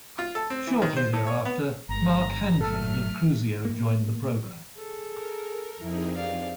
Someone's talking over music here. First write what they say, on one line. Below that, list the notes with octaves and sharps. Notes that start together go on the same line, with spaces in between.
Shortly there after Mark Hanford of Cruzio joined the program.
F4
A4
C4
E3
D#3
C5
A2
C#5
B3
G1 G#3 A#5
F#3 A3 A4 F6
A2 A#3
G#4 A4
A#4
F2 C4 D#4 E4 G#4
G2 D5 F5